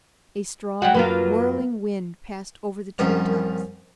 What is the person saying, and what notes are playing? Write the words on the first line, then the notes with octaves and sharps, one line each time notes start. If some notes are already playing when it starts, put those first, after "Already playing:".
A strong, whirling wind passed over the tree-tops.
F#3 G3 F#4 F#5 G5
F#2 F#3 A#3 F4 A#4 B4
C2 F#2 D#3 F3